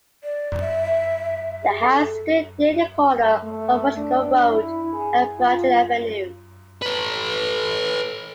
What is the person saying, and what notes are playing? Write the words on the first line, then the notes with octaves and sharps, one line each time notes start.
The house stood near the corner of Watchogue Road and Bradley Avenue.
D5
E5
G#4
A4
A3
D4
E4
G#4
F4
A4 B4